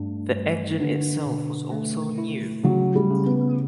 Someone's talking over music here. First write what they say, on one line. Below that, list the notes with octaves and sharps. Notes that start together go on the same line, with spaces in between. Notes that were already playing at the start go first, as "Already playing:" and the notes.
The engine itself was also new.
Already playing: G2 A3 D4
G2
D3 B4
B2
A3
E4
C#3 F#3
G3
C#3
B3